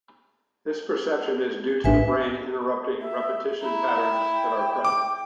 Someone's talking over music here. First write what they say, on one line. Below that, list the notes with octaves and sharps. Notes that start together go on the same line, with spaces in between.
This perception is due to the brain interpreting repetition patterns that are present.
A1 D4 B4 E5 G#5
E5
E4 A#5
G5
D6